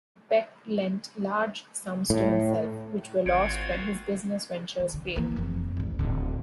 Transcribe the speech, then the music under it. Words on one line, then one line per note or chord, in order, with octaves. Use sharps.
Peck lent large sums to himself, which were lost when his business ventures failed.
A2
G#1 C4 F4 F#4 G6 G#6 C#7 D7
E3
D3
E3 A#3
F1 F2
G#1 D2
D1 D3